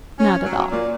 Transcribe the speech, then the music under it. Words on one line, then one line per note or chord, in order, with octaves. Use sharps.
Not at all.
C#4
F#3
A#2